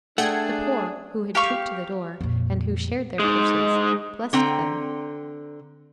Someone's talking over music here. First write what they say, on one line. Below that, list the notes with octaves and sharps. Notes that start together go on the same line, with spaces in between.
The poor, who had trooped to the door, and who shared their purses, blessed them.
A3 D4 G#4 F#5 G5 G#6
G4 F5 C#6
F2 A#2
G#3 D#4
D3 C4 G5 A#5